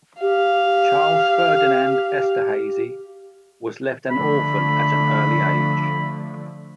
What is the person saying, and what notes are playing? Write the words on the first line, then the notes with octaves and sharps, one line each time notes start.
Charles Ferdinand Esterhazy was left an orphan at an early age.
G4 F5
D3 F3 A3 B5